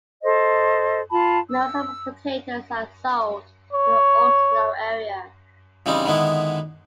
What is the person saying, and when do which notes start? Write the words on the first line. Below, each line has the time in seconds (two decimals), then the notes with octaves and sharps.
Most of the potatoes are sold in the Oslo area.
0.23 A4 C5 D#5
1.11 F4 A5 B5
1.49 E6
3.73 C#5
5.86 C#3 E3 G3 C4 D#4
6.06 D3 D#3 G#3 B3 E4